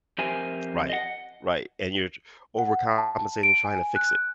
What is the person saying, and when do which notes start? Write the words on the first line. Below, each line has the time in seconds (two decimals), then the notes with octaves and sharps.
Right, right, and you're j overcompensating trying to fix it.
0.18 F2 G4 A#4 C5 E5 G#5
0.90 D#5 F#5
2.58 F#5
2.98 A5
3.43 D7
3.65 G#5
3.96 F#6